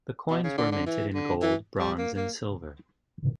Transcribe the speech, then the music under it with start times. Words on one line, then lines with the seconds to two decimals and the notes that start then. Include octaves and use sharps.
The coins were minted in gold, bronze and silver.
0.30 B2
0.43 C#3
0.58 D3
0.72 D3
0.86 E3
1.14 D3
1.42 E3
1.79 G3
1.98 A#3
2.17 A#3